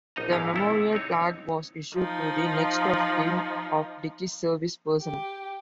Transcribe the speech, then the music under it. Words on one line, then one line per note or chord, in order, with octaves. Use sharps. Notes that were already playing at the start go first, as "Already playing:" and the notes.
The Memorial Plaque was issued to the next-of-kin of deceased service personnel.
A#1 D#4 D#5 A#5
G#2 F3 G#3 E4 F5
D#3 E4 A4
C3
C4 D4 D#4 C#5
F3 D#4
G4